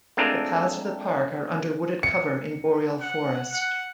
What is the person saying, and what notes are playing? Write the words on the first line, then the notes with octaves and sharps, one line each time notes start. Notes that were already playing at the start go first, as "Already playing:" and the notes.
The paths of the park are under wooded cover in boreal forest.
G#3 A3 C4 D4 F4 A#4
C#7
F#5
F#5